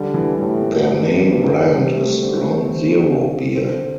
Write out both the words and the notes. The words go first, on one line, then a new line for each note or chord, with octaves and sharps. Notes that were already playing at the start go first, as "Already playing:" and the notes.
Their main brand is Ground Zero Beer.
Already playing: D3 G3
E3
A2 G3
G2 G3
D4
G2 C4
D4
C3 G3
A3
G3
D3 C4
A3
D3 C4
C4